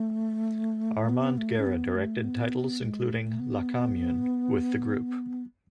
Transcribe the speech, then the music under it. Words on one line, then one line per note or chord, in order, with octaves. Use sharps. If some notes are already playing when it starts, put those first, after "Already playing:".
Armand Guerra directed titles including "La Commune" with the group.
Already playing: A3
B3
A3
C#4
B3
A3
B3
G#3
A3
B3